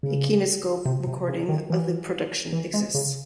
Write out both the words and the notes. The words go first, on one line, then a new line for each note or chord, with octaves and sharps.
A kinescope recording of the production exists.
C#3
C3
C3
C#3
D#3
E3
E3
G#3
C#3